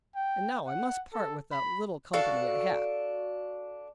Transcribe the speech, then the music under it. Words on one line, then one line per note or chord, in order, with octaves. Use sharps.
And now I must part with that little company I had.
G5
F#5
A4
B5
D4 F#4 A4 F5